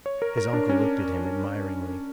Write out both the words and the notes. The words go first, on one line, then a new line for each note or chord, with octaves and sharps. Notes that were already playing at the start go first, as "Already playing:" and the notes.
His uncle looked at him admiringly.
C#5
A#4
A#4
D4
C#4